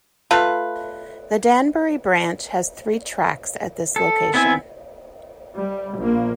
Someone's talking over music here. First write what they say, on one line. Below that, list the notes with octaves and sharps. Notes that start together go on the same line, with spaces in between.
The Danbury Branch has three tracks at this location.
A3 F4 B4
A4
B3 C4 E4 G#5
G3
A#1 A#3